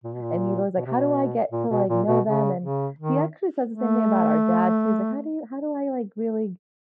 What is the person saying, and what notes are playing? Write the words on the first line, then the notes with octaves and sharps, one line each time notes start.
and he goes, "Like, how do I get to, like, know them?" and he actually says the same thing about our dad too, he's like, "How do you how do I, like, really
A#2
B2
A#2
B2
C3
B2
A#2
B2
A#2
B2
C#3
C#3
D#3
A3